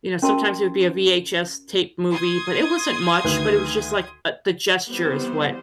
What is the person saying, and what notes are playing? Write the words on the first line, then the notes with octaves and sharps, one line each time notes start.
you know, sometimes it would be a VHS tape movie, but it wasn't much, but it was just, like, uh, the gestures what
C#4 F#4 A#4 D#5 A5 C6
C6 D#6 G#6
D2 D#3 B4
E3 G3 B3 C4 C5